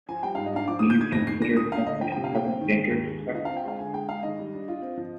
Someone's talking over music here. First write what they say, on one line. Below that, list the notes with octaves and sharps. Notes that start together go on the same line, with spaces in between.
Do you consider him in present danger, sir?
F3 G#5
G3 G5
G#2 F5
D#5
D4 F5
F3 D6
D#6
D3
G6
D#4 G#6
F2 A#6
D#3 C7
D4 A#6
D2 D#6
D3 F5
D3 D#5
F3 G5
G5
C3
F5
A#3 G5
C4
D#3
G#3
D#2
G#3
D3
F4 D#5
F5
C4
G5
G#3 F5
D3 G#5
G#3 G5
G#3 F5
D#3 D#5
G3
D4
F4
C4
F3